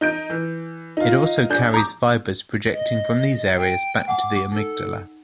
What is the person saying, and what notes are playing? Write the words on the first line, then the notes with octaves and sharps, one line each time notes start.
It also carries fibers projecting from these areas back to the amygdala.
D#4 G6 D7
E3
D#4 F4
D4 G#4 G6
A#5 D6
D#5
G5
F#5 G#5 D6
D#4 A4